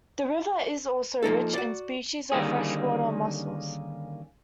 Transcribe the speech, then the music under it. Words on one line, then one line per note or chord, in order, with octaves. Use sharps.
The river is also rich in species of freshwater mussels.
F3 A#3 D#4 A4
F#4 D5
D3 D#3 G3 A#3 C#4 G#4